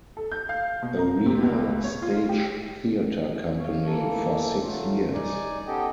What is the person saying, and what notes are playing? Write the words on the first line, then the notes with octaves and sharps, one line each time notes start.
Arena Stage theatre company for six years.
A4
G6
F5
B2
A#5
C3
C#2
C#5
F4
G4
C#5 F5
E3 A#3 A4
F#3 A3 F4
D#4 D5 G#5
B3 C#4 G4 A4 D#5 G5